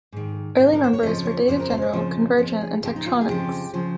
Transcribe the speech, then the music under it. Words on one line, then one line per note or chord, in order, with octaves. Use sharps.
Early members were Data General, Convergent and Tektronics.
G#2 D#3
G#2 D#3
A#4
C5
C#5
F2 C#3 F3 D#5
C#5
F2 C#3 F3 C5
A#4
C5
C#5
F2 C#3 F3
F2 C#3 F3 C5
G#4
F2 C#3 F3 G4
D#4
F4
G#4
F2 C#3 F3 G4
C#3 F3